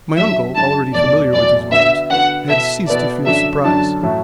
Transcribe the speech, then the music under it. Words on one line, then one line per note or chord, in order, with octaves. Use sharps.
My uncle, already familiar with these wonders, had ceased to feel surprise.
F#2 F#3 D4 A4 E5
F#2 F#3 D4 A4 A5
E2 B2 F#3 A3 E4 D5
E2 B2 F#3 A3 E4 D5
D3 B3 F#4 E5
D3 B3 F#4 F#5
B2 B3 E4 A4 E5
B2 B3 E4 A4 D5
F#2 D3 F#3 D4 A4 E5
F#2 D3 F#3 D4 A4 A5
A2 F#3 A3 E4 A4